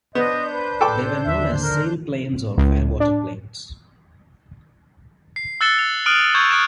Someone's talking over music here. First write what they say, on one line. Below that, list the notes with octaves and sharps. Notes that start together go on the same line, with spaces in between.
They were known as sail planes or fairwater planes.
B3 D4 C5 D#5 G6
B4
A4 G5 D6
D#2 D3 E5
A#4
C#2
D4
C7
E6 F#6 A6 C#7 E7 G7
F7
D#6 F6 F#6 D7 D#7 F#7
C#6 G6 G#6 E7 F7
D#6 E6 F#6 A6 D7 E7